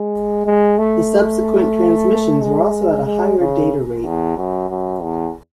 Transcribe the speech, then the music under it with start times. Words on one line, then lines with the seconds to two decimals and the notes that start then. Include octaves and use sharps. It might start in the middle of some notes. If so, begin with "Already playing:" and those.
The subsequent transmissions were also at a higher data rate.
Already playing: G#3
0.46 G#3
0.78 A3
2.41 G#3
3.06 G#3
3.39 C#3
4.04 E2
4.37 F#2
4.69 F#2
5.02 E2